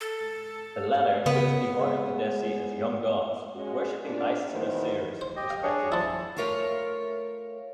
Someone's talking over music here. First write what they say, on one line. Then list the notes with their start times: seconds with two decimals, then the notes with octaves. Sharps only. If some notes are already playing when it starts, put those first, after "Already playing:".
The latter shows Pihor and Pedesi as young gods worshiping Isis and Osiris respectively.
0.01 A4
1.26 C#3 B3
1.79 G#3
3.56 G#3 C#4 F#4
4.05 A#2 D4
4.52 D#3 E3 F#3 B3 E4 C5
5.21 C5
5.36 G4 D#5
5.50 F5
5.63 D4 G#4 C#5
5.92 F3 E4 A5
6.36 A3 F4 A#4 C#5 E5 F5